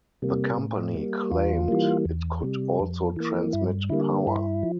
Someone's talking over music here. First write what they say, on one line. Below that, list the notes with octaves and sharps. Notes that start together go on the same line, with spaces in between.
The company claimed it could also transmit power.
C3 G3 A#3
A2
G3 A#3
E2 F4
E3 G3 A#3
E2
C3 G3
F2
E3 A#3
G2 E4
D3 G3 A#3 E4
G2 E4
F3